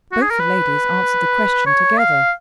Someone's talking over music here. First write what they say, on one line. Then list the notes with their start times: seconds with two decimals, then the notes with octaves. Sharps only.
Both the ladies answered the question together.
0.12 F#4
0.22 G#4
0.31 A#4
0.40 B4
1.66 C#5
1.98 F5